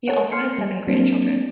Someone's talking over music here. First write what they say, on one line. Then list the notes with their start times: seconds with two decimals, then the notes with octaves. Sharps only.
He also has seven grandchildren.
0.08 A4 A#4 C#5 F#5
0.32 C6 F6 C7 C#7
0.58 G3
0.87 F#3 A#3 C4 D4